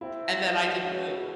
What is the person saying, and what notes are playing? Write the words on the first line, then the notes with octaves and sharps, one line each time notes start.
and then I didn't move.
C4 E4
C3
E2
G#3 F#4
C#3 F#4
E2